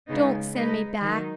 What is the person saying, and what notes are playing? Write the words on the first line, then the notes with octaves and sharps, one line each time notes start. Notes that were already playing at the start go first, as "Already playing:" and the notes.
Don't send me back!
C#3 G#3 B3 D#4
G#3 D#4 B4 D#5
D#3 F#3 D#4